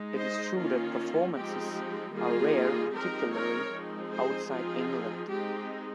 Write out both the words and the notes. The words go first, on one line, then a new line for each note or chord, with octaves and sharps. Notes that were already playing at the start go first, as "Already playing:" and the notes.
It is true that performances are rare, particularly outside England.
Already playing: G#3 D#4
C5 D#5
D#3 A#3 C#4 F4
F3 G#3 C4 D#4 G4
G4
D#3 G3 A#3 D#4 F4 G#4
F3 G#3 C4 D#4 G4 A#4
A#4 C#5
F3 G#3 C4 D#4
G#4 C5
F3 C4 D#4 F4 G#4
G#3 C4 D#4 G4